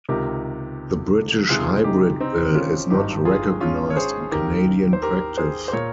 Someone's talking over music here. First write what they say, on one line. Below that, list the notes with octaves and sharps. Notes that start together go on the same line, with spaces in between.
The British hybrid bill is not recognized in Canadian practice.
C#2 C3 D#3 G4 A#4
C#2 C3 D#3 F4 G#4
D#4 G4
C4 D#4
C#4 F4
G#1 G2 D#3 D#4 G4
F4 G#4
C#4 F4
C#5
G#4 C5
D#2 D#3 G4 A#4
C5
G4 A#4
G#4 C5
C5
A#2 A#4 C#5